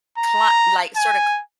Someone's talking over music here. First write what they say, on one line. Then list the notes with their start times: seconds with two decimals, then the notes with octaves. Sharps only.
cla like, sorta
0.18 A#5
0.97 G#5